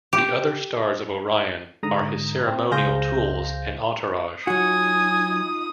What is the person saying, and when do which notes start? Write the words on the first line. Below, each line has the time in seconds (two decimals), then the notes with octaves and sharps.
The other stars of Orion are his ceremonial tools and entourage.
0.13 G4
1.83 G#2 D3 A#5 D#6
2.47 C4
2.71 C#2 G#4 C5 F5 G6 A#6
4.47 F#3 D#4 F4 F#4 G#5 D#6